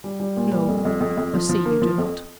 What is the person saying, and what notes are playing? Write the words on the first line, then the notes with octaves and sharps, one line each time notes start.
'No, I see you do not.
G3
G3
A#2
G3
F2
F2
F2
F2
F3
F3
A#3
F3
F2